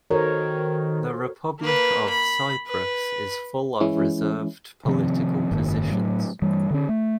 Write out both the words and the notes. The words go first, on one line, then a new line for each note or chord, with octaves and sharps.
The Republic of Cyprus is full of reserved political positions.
D#3 F#4 A4 A#4 C5 C#5
A#3 B4
B5
B4
E3 G#3 C#4 E4
C3 D#3 F3 C4
F#1 G#2 D#3 A#3
A2 F#3
G2 E3 G3
D3 C#4
A3